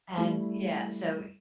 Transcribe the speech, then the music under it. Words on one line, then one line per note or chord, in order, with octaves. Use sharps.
And yeah, so
G3 A3 E4